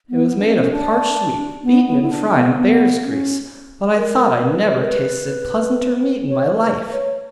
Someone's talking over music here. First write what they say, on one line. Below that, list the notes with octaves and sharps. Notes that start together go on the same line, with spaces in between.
It was made of parched wheat, beaten, and fried in bear's grease, but I thought I never tasted pleasanter meat in my life.
B3
D4
C#4
B3
C#4
D4
B3
B3
E4
D4
B3
C#4
B3
C#4
A#4
B4
G4
A#4
B4
C#5
A#4
B4
C#5